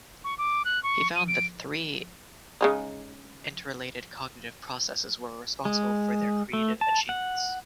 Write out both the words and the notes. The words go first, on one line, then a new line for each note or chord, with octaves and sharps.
He found that three interrelated cognitive processes were responsible for their creative achievements.
C#6
D6
F#6
C#6
D#7
D7
C#3 G#3 D#4
G#3
A3
A5
F#5